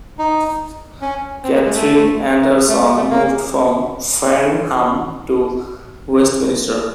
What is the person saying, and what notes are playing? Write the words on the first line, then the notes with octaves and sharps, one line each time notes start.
Catherine and her son moved from Farnham to Westminster.
D#4
C#4
C4
A#3
G#3
A3
A3
G#3
A3
A#3